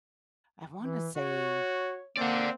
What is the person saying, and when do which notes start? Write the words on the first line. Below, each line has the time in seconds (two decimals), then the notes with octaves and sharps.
I wanna say
0.80 E3
1.16 F#4 C#5
2.17 A#3 C4 D5 F#5